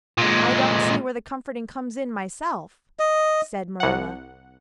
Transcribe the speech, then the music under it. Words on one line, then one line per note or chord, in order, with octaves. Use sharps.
"I don't see where the comforting comes in myself," said Marilla.
A#2 G#3
D#5
C2 F#5